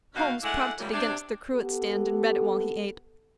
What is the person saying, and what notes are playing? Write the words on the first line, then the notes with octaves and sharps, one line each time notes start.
Holmes propped it against the cruet-stand and read it while he ate.
B2 D#3 C#4 F#4 F5
G#3 A3 D4 E4 F#5
F#2 C#3 E3 G3
C3 D4
B3 G4 A4